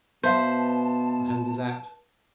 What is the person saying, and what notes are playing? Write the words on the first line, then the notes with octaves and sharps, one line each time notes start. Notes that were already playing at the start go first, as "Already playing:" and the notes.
The hand is out.
B2 B4 C5 E5 F5 A5